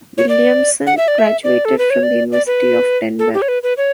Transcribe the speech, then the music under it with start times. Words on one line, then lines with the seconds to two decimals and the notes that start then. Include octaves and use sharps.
Williamson graduated from the University of Denver.
0.18 C#5
0.29 D5
0.87 F#5
0.97 E5
1.08 D5
1.19 E5
1.44 D5
1.65 A4
1.78 B4
1.90 C#5
2.03 D5
2.32 D5
2.47 B4
3.19 A4
3.34 G4
3.42 C#5
3.48 B4
3.63 B4
3.77 C#5